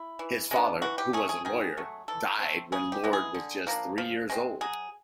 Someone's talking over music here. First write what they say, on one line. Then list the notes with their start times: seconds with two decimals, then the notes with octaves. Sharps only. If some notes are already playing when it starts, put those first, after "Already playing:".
His father, who was a lawyer, died when Lord was just three years old.
Already playing: E4
0.19 E3
0.51 G#3 B3 D4
0.82 E3 F#4
0.98 G4
1.13 A3 C#4 G#4
1.29 G#4
1.45 D#3 G#4
1.77 F#3 A3
2.08 E3 A4
2.39 A3 C4
2.72 C#3 G#4
2.92 G4
3.04 E3 G#3 B3
3.13 G#4
3.34 D3
3.67 F3 A#3 D4
3.98 F3
4.30 G#3 C4
4.61 F#3 G#4